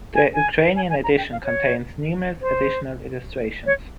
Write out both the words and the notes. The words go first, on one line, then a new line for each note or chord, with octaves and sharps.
The Ukrainian edition contains numerous additional illustrations.
G#5
G#5
G#5
G#5
A#5
G5
F5
C#5
C5
C#5